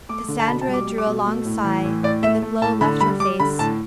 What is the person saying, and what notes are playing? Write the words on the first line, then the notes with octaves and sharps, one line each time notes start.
Cassandra drew a long sigh, and the glow left her face.
A3 D6
D3
A5
B2 B5
A5
G3
D6
G3
D6
B2
A3
A2
E3
A2
A2 D5
A3 E5
A3
A2 A5
D3 B5
G3 B5
G3 D6
D3 B5
A2 A5